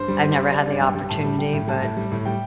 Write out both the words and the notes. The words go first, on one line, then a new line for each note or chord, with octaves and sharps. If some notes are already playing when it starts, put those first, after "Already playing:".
I've never had the opportunity, but
Already playing: G2 C5
G3
G3
G3
G3 D5
G2
G3 G5
G3
A2 A5
G3
G3 G5
A2
G3 A5
A2
G3
A2
G3 G5